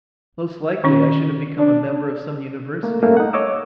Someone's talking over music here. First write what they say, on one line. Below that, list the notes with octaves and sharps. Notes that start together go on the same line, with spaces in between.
Most likely I should have become a member of some university.
D#3 C#4 D#4
D4
A3 A#3
G3 A3 A#3 C#4
D#4 F#5
C#5 D#5 D6 E6